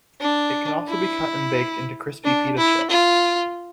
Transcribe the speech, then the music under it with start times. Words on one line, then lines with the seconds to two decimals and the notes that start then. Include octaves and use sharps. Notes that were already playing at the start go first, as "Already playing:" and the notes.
It can also be cut and baked into crispy pita chips.
0.20 D4
0.88 E4
2.24 D4
2.57 E4
2.91 F4